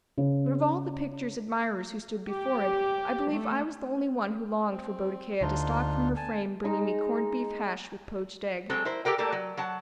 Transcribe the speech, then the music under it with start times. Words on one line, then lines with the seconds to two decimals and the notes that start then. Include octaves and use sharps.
But of all the picture's admirers who stood before it, I believe I was the only one who longed for Boadicea to stalk from her frame, bringing me corned-beef hash with poached egg.
0.17 C#3
2.28 G4
3.29 A3
4.70 C4
5.41 D2 D4 D#4 F4
6.16 G#5 A5
6.64 G#3 D#4 A#5
8.69 F#3 G#3 C4 A4
8.85 E4 A#4 C5
9.05 G4 A4 A#4 G5
9.18 G3 A3 A#3 A4 A#4
9.32 F#3
9.57 F#3 F#5 A5